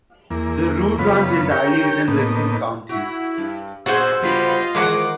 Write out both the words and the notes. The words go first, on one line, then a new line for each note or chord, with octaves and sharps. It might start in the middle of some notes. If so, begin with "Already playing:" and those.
The route runs entirely within Lincoln County.
E2 A#3
F#2 C#3 B3 F4 B5
G4 A#4 C#5 G5
A2 A#3 B3 D#4
E4 F#4
G2
G2 A#2 F3 F#4 G#4 C5 E6
D2 G2 C#3 G3 B3 F4 D#5 B5
D#3 E3 G#3 B4 C5 F#5 D6